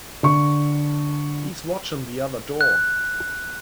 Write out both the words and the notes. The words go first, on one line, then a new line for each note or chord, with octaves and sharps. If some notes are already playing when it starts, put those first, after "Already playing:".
He's watching the other door.
D3 C#6
F#6